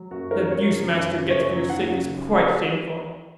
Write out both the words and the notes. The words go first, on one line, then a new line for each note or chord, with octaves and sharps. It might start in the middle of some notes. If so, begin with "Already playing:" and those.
The abuse master gets for your sake is quite shameful.
Already playing: F#3
F#2 F#4
D#3 A#4
F#2 C#5
F#3
F#2
C#3
F#2 C#5
F#3
D#2 F#5
C#3